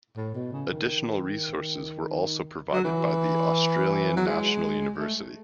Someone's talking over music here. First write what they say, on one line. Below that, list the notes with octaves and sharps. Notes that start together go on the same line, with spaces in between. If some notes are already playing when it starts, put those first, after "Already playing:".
Additional resources were also provided by The Australian National University.
A2
B2
C#3
D#3
F#3
E3
F#3
G#3
A3